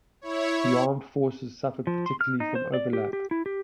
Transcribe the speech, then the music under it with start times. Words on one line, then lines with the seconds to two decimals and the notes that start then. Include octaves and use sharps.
The armed forces suffered particularly from overlap.
0.21 E4 C#5
1.87 F3
2.06 C6
2.21 F6
2.40 D#4
2.55 C5
2.74 D5
2.93 G4
3.13 G4
3.31 E4
3.46 G4